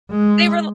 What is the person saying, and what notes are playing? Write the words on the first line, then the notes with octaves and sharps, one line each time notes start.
They were l
G#3